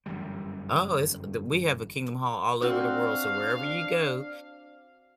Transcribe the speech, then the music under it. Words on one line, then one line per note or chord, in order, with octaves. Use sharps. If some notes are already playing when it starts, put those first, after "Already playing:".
Oh, it's the we have a Kingdom Hall all over the world, so wherever you go,
G1 F#2 E3 G3
C4 D4 F#4 F5